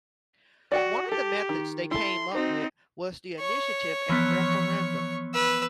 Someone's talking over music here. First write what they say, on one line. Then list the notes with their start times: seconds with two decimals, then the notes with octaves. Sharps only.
One of the methods they came up with was the initiative and referendum.
0.72 F#4 D5 F#5 G5
1.12 G4 A4
1.49 D#3
1.91 E4 A4 C6
2.35 C4 D#4 F#4 C5
3.39 C#5 C#6
4.09 E3 F3 B3
5.34 B4 E6